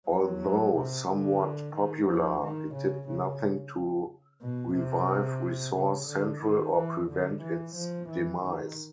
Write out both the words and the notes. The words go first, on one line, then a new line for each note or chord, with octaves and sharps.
Although somewhat popular, it did nothing to revive Resource Central or prevent its demise.
F#3
C3
D3
D#3
F3
D#3
C#3
C#3
B2
C3
C#3
D3
D#3
E3
D3
E3
F3
E3
D#3